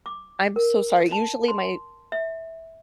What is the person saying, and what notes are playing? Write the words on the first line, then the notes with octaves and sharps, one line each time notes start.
I'm so sorry, usually my
D6
A#4
A5
C6
E5